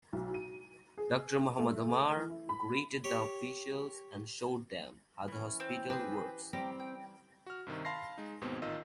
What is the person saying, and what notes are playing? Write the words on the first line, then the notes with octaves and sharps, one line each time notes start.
Doctor Mohamed Omar greeted the officials and showed them how the hospital works.
B1
D#7
G#4
A3
E3
E4
B5
G4 C#5
E3 C#4
C4
C4 G4 G#4 B4
G3 C4 G4 A#5
G5
F#4 F6
G2 C3 D#3
F5 A5 B5 C6 A#6 C7
G#3 D#4
D#2 G#2 B2 B3 C4
A1 D#3 F4 D#5 E6